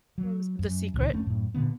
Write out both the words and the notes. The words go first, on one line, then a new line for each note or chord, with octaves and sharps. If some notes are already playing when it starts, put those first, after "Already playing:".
what was The Secret
F#3
F#2
C#2 A#2 D#3
F1 A3 C#4 D4
F#2 A2
A#2 D3 B3